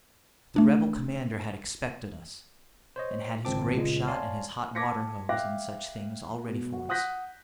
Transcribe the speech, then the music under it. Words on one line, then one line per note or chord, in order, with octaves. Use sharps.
The Rebel commander had expected us, and had his grape shot and his hot water hose, and such things all ready for us.
A3 D4
C5 C#5 D#5
G#1 C#2 C4 A5 D6
C#2 A#2 G#3
C#5 D5 F5 G#5 A5 C6
A5 D6 G#6 A#6 B6 C#7
E5 F5 G5 D6 F#6 A#6
B2
F#4
F#5 D#6 F#6 G6 A#6 B6